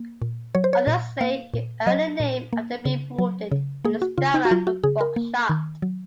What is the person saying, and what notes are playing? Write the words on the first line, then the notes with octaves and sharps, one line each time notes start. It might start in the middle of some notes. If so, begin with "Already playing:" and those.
Others say he earned the name after being wounded in the stomach with buckshot.
Already playing: A#3
A#2
F#3 C#5
C5
C#5
A#2
A#3 F5
A#2
F#3 D#5
A#2
A#3
C#3
F#3
C#3
A#3 G#4
F#4
C#3 F4
D#4
F#4
F#3 F4
F#4
C#3 G#4
A#4
A#3
D#3
F#3